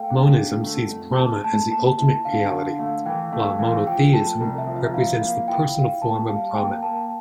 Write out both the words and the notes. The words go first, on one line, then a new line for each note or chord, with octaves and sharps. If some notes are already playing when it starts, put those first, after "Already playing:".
Monism sees Brahma as the ultimate Reality, while monotheism represents the personal form Brahman.
Already playing: A3 F5 G5
D4
D3
A3
F2
A3 A5
A3 A5
A#3 A5
E4 A5
D3 F5
D3
A3 F5
E3 G5
A3 F5
E3 F5
F3 G5
A3 A5
C2
E5
F3
E5
E4 F5
A#3 F5
E4 G5
E4 F5
A#3 A5
G3 F5
A#3 G5
A#3 A5